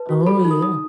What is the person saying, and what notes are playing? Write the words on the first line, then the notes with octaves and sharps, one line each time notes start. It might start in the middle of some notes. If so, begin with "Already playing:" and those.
Oh, yeah.
Already playing: B4 A5
F#4
A4 B5
D#4
D#6
D#4 D#6